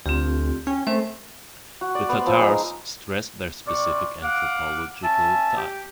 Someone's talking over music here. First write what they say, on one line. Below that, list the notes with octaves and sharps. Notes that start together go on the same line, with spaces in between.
The Tatars stress their specific anthropological type.
D2 C4 F4 G4
C#4 G5
A3 C4 A#4 C5
F#4
D5
B3 C5
F3 E6
G#3 D#4 C5 A#5
C3 D5 C#6
F5 F#5 D6
C#4 E5 G#5 A5
G4